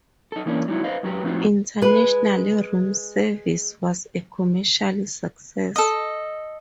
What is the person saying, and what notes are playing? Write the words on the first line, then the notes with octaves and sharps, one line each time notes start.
Internationally, "Room Service" was a commercial success.
D#4 A4
E3 A#3 C#4 D4
F#3 G3 D#4 E4 F#4
B4 C5 D#5 F5
F#2 F#3 F#4 G4 B4
A2 F3 C4 D#4 F4 F#4
G#3 B4
A4 D#5